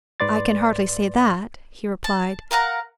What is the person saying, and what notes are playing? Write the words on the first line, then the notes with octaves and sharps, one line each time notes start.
"I can hardly say that," he replied.
G#2 B4 D5 C6 A6
A5
A#4 F5 F#5 A#5